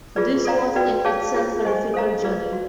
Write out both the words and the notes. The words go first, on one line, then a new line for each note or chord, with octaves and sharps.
This was in itself a difficult journey.
F4 G#4 B4 D5
A4 D5 F5 A#5
F#4 B4 D5 G5
G#4 C#5 F5 A5
F4 G#4 C#5
C5 D#5 G#5 C#6
A4 C5 F5 A#5
F4 G#4 B4 D5 F5
F#4